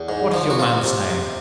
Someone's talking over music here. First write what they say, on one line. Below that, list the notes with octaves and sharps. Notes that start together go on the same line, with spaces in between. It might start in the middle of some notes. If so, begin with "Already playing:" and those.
What is your man's name?
Already playing: E2
G#2
F3
F#4
C3 F4
C3
C3